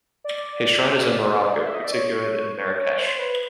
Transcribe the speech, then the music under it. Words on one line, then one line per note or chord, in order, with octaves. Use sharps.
His shrine is in Morocco, particularly in Marrakesh.
D5
E5
D#5
D5
C#5
C#5
C#5
C5
B4